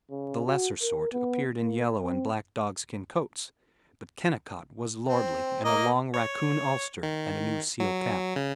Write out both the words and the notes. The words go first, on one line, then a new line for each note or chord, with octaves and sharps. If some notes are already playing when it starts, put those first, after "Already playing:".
The lesser sort appeared in yellow and black dogskin coats, but Kennicott was lordly in a long raccoon ulster and a new seal cap.
C#3
F#4
A#4
B3
A#3
C4
C4
A#3 D#5
C#5
D#3
F#3
C#3